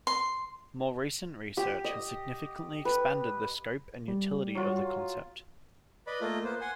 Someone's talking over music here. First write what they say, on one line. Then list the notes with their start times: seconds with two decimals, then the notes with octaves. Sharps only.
More recent research has significantly expanded the scope and utility of the concept.
0.07 C6
1.57 G4
1.84 D#5
2.85 B4
4.08 G3
4.55 F#3 F4
6.07 B4 D5 D#5 B5
6.21 A3 A#3 F4 D#5
6.44 A#3 B3 C5
6.61 F#5 G#5 C6